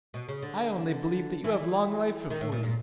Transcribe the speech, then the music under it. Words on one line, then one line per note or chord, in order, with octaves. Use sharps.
I only believe that you have long life before you.
B2
C#3
D3
E3
D#3
A2
A#2
A#2